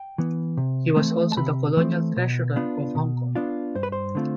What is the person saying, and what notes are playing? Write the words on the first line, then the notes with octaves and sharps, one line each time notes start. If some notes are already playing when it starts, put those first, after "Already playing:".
He was also the Colonial Treasurer of Hong Kong.
Already playing: G5
E3 B3
C3
E3 A3 C4
A5
C3 B5
E3 A3 C4
B2
B3 D4 F4
B2
B3 D4 F4
G2 C5
B4
C5
D3 A3 C4 F4